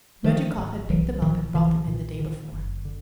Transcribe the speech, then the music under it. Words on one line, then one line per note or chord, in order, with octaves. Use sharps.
Smerdyakov had picked them up and brought them in the day before.
D3 D#3 F3
G#1
B1 E3 F#3
A#2 D#3 F3
B1 D3 E3
A#2
D3 D#3
F#1
D3